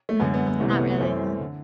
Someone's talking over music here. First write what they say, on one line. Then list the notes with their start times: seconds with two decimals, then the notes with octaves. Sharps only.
Mm, not really, yeah.
0.09 A3
0.20 F#2 D3 B3
0.34 B3
0.47 B3
0.60 C2 C3 E3 A3
0.70 B3
0.80 A3
0.90 B3
0.99 F#2 E3 A3 C4
1.40 D3